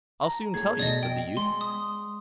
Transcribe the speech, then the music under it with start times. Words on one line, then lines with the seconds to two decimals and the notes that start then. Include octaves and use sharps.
I'll soon tell you', said the youth.
0.23 A#5
0.54 A2 G#4 A4 G#6
0.79 B2 D5 D#5
1.03 G5
1.37 G#3 C6
1.61 D#6